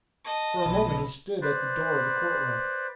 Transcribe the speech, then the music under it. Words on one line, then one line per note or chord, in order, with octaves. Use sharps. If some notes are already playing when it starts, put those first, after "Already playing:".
For a moment he stood at the door of the court-room.
D#5 A5
B1 B5
B4 C5 D5